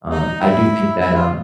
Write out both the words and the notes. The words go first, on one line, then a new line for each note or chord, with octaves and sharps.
um, I do think that, um,
D#4
E4
E4
F4